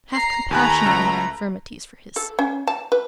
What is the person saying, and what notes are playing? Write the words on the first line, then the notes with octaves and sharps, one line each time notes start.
Have compassion on my infirmities for his sake.'
A#5 C7
D#2 A3 G#5 A#5 B5 F#6
C#2
A4
C#4
A5
B4